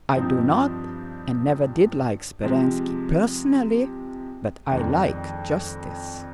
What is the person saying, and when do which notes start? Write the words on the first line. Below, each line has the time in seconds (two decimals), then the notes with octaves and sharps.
"I do not, and never did, like Speranski personally, but I like justice!"
0.15 G2 F3 C4 D#4
2.43 C3 F3 G#3
4.70 F2 D#3 G#3 D4